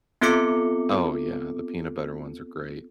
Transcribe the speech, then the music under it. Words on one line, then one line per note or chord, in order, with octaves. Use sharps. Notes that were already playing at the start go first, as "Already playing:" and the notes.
Oh, yeah, the peanut butter ones are great.
B3 C4 F4 A4 D6 C#7